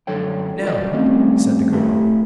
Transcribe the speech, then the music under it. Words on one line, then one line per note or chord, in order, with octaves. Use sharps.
"No," said the girl.
F#2 D3 F#3 A4 C#5 G5
F4 F#4 A#4 B4 D5 D#5
D#3 G3 A3 C4 C#4
A3 E4 F4 G4 A5